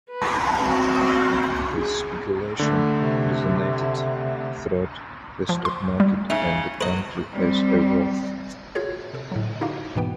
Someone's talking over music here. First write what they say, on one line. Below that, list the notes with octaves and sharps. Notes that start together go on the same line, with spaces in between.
This speculation resonated throughout the stock market and the country as a whole.
B4
C4 F#4
G#4
D3 A3
C3
F3
C6
G3
C#3 D#4 E5
F#3 B4 D#5
G3 C4
F4 F#4 G#4 C#5
C3 A4
A2 D3 F#3
D3 D#4 E4 F#4 G4 F5
D#2 G#2 B2 E3 B3 G5